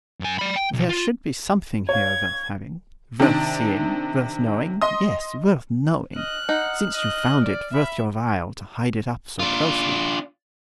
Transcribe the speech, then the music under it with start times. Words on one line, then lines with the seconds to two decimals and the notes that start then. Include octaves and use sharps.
There should be something here worth having, worth seeing, worth knowing,--yes, worth knowing!--since you found it worth your while to hide it up so closely.'
0.21 F#2 G#5
0.39 D5 B5
0.56 G5
0.73 B1
0.89 F4
1.89 C#5 F5 G#6
3.19 C3 D#3 D4
4.82 D#5 C6 D#6
6.16 D#5 F6 F#6
6.49 D#4 F#5
6.94 D#5 F#6
7.42 D5
7.74 E5 B5
9.40 D4 F4